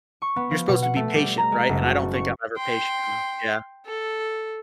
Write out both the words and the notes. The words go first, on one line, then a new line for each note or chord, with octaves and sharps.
You're supposed to be patient, right, and I don't think I'm ever patient enough, yeah.
C#6
B3
F3
B2
F#5
A3
G3
A#5
G#3
F#1
F#4
C#6
G5 C6
A4